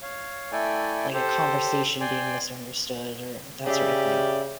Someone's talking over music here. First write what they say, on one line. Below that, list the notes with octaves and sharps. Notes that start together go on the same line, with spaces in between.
like a conversation being misunderstood or that sorta thing?
C#5 F5
A3 E4 A4 D5 G5 G#5
G4 A4 C5
D5 G5 G#5 C6
C#3 G4 G#4 D5 E5